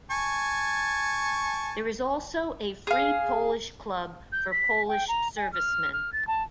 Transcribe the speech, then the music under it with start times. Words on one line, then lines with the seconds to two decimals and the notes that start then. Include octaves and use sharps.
There is also a Free Polish Club for Polish servicemen.
0.11 G#5 A5 C#6
2.87 G#4 F5
4.32 G6
4.52 B6
4.88 G5
5.08 A#5
5.37 G#5
5.53 F6
5.93 F6
6.13 A6
6.27 A5